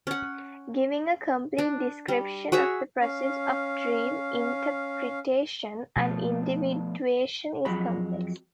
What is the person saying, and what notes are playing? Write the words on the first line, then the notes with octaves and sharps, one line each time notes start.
Giving a complete description of the process of dream interpretation and individuation is complex.
C#4 F#5
D4
G3
F#4 G#4 C#5 E5
C#4 F5
B2 F3 A3
F2 F#3 G#3 B5